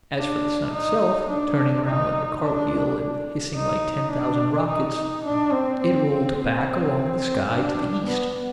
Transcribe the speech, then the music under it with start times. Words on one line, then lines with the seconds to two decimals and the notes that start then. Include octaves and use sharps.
As for the sun itself, turning round like a cartwheel and hissing like ten thousand rockets, it rolled back along the sky to the east.
0.17 D4
0.73 D#4
1.29 D4
1.86 D#4
2.43 D4
3.56 D#4
4.12 D4
4.68 D#4
5.25 D4
5.52 C4
5.81 C4
6.38 C4
7.51 D4
8.07 B3